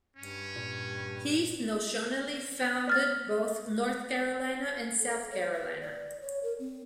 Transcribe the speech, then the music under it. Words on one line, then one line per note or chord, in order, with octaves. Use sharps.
Heath notionally founded both North Carolina and South Carolina.
G2 C#4
A#2
D5 F6 A6
A4
C#5
B4
D5
C#5
A#4
C4